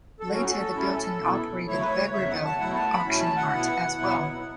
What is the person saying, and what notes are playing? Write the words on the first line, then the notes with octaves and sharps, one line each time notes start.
Later they built and operated the Vegreville Auction Mart as well.
A4
A2 F#3 A3 C#4 F#4
F#4
A4
A2 F#3 C#4 E4
B2 B3 E4
C#3 F#3 A3 E4 C#5
B4
C#5
E2 C#3 F#3 E5
F#5
A5
B2 F#3 A3 E4 F#5
A5
B5
B2 A3 C#4 E4
A5
F#5
B2 B3 E4
B2 F#3 B3 E4